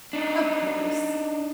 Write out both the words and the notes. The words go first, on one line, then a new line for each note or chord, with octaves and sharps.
Of course.
D4 D#4